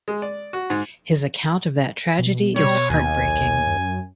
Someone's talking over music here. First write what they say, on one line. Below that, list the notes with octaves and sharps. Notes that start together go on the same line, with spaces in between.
His account of that tragedy is heartbreaking.
G#3
D5
F#4
G#2
B2
G3 C#5
D#2 G#5
B1
F#2